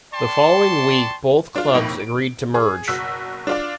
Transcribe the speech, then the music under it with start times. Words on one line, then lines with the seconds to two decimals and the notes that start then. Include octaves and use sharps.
The following week both clubs agreed to merge.
0.12 D5 G5 A5 C6 C#6
1.56 D4 F4
1.73 F2 A2 A#3 D#4 E4
2.00 D7
2.55 G#4
2.88 F#1 B2 E6 F#6 B6
3.47 D4 F4 D5